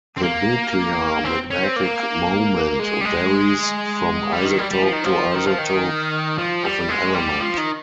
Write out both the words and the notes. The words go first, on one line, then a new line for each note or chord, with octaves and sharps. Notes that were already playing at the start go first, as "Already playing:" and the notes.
The nuclear magnetic moment varies from isotope to isotope of an element.
C4
A#3
C4
C#4
C4
A#3
G#3
G3
G#3
G3
D#3
G3
G3
F3
D#3
F3
D#3
F3
D#3
F3
G3
G#3
G3
F3
D#3